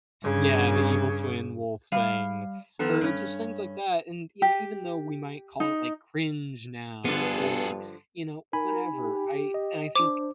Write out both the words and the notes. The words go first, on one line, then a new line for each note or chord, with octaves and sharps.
Yeah, the evil twin wolf thing, or just things like that, and, you know, even though we might call it, like, "cringe" now or, you know, whatever, I and I think
G2 C#3
G3 F5
D#3 F3 B3 A4
G2 C#4
G4
D#4
G2 D3 F3 B3 G#4 A4
D#4 A#4 G#5 B5
G4
D#5
D4 C5 D6